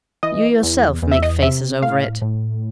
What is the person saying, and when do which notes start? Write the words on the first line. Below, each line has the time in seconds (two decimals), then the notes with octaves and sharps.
You yourself make faces over it.
0.23 E3 D#5
0.63 E2
1.02 E2
1.11 E5
1.22 D#5
1.43 C3 E5
1.82 A2 F5
2.22 A2